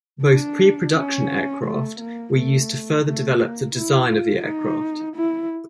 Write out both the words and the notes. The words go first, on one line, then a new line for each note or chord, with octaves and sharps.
Both pre-production aircraft were used to further develop the design of the aircraft.
D4
C#4
A3
A#3
A3
A3
A#3
E4
F4
D#4
E4